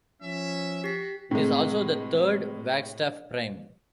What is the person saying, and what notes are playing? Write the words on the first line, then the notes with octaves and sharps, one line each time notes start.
It is also the third Wagstaff prime.
F3 C#4 E5
F#4 G4 B6
A2 C3 G#3